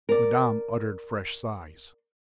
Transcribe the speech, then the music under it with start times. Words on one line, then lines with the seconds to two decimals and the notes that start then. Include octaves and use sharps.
Madame uttered fresh sighs.
0.09 A#4 D5